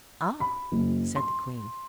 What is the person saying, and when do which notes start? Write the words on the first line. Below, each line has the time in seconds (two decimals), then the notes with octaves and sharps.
"Ah!" said the queen.
0.40 B5
0.72 F#1
1.16 C6